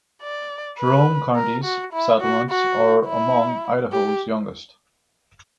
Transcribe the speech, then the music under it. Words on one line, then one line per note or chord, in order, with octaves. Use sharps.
Jerome county's settlements are among Idaho's youngest.
D5
B4
A#4
F#4
E4
F#4
F#4
E4
G4